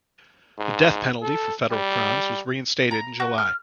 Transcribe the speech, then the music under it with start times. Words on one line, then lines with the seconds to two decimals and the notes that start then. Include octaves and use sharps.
The death penalty for federal crimes was reinstated in July.
0.59 G#2
1.22 A4
1.72 G3
2.91 A#5
3.20 F#4
3.38 F6